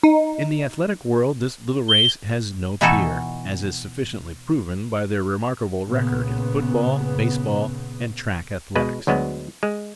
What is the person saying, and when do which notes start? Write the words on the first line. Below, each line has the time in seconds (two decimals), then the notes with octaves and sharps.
In the athletic world this little race has no peer, as is sufficiently proven by their remarkable record in football, baseball, and track athletics.
0.03 D#4
1.88 G7
2.81 B2 E3 D#4 E4 F#4 A4
5.88 A#2 C#3 B3
8.75 B2 G#3 B4
9.07 D2 F#3 G#3 B3
9.63 G#3